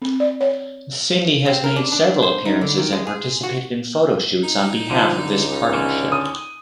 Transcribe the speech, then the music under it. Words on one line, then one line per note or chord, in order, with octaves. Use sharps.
Cindy has made several appearances and participated in photoshoots on behalf of this partnership.
C4
D5
C#5
C4
A#4
D4
D4
C5
D#4
D3
D#3
G#3
G#4
F#4
D#4
D3 F3
C#2
D3 C#4
D#6